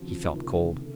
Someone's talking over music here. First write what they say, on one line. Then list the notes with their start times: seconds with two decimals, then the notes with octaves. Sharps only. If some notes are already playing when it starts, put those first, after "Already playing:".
He felt cold.
Already playing: D#2 C#3 F3 C4 F#4
0.35 C#2 C3 D#3 A#3
0.79 C#3 A3